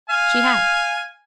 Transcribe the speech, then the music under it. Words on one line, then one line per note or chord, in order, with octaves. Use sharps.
She had.
F5 G#5